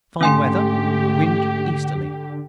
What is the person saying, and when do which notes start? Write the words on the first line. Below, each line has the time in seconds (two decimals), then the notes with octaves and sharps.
Fine weather: wind easterly.
0.21 G#2 D3 A3 C#4 G4 G#5 C6